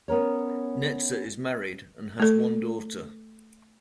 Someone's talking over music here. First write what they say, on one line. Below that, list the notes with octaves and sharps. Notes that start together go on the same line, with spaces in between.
Netzer is married and has one daughter.
B3 C#4 A#4 C#5
A3 A4